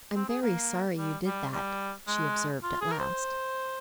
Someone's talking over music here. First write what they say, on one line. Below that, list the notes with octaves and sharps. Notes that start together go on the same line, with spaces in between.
"I'm very sorry you did that," she observed at last.
C4
G#4
A#3
G3
G3
G3
G#3
F4
G#4
A#4
C5